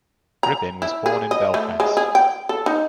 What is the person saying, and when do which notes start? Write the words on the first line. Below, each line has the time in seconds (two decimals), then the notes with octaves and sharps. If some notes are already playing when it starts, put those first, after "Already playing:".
Gribbin was born in Belfast.
0.43 A#5
0.82 E4
1.06 G#4
1.31 D#5
1.54 A3
1.80 G#3
1.97 G#4
2.15 G5
2.49 A4
2.66 D#4